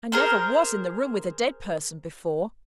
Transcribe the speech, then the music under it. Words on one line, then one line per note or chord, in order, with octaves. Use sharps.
'I never was in the room with a dead person before.'
G#4 A#4 C5